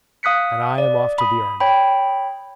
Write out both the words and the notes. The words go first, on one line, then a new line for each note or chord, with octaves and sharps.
And I am off to the army.
F5 D#6 F#6 B6 C#7
D5
B5 D#6
C#5 G5 B5